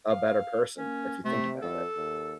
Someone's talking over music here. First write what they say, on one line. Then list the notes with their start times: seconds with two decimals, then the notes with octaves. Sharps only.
a better person, if you think about it.
0.11 F5
0.78 A#3 C#4
1.25 C3 A3
1.62 F2 A4
1.97 D#2